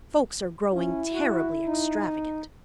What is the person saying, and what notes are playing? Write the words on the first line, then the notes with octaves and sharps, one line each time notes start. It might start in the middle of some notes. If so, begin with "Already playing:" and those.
"Folks are growing terribly extravagant."
C#4 E4
F#4
D#4